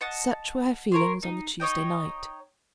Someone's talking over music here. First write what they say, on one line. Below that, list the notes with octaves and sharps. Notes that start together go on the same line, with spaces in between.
Such were her feelings on the Tuesday night.
D#5 F#5 A5
A#4 C#5 C6
D#4
D#4 C#5 D#5 G5